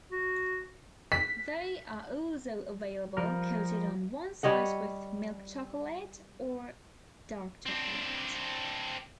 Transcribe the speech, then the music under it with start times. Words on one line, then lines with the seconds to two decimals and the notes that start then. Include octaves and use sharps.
They are also available coated on one side with milk chocolate or dark chocolate.
0.12 F#4
1.12 B6
3.17 F3 G3 A#4
4.43 G3 C#5 D#5 F#5
7.66 C4 D4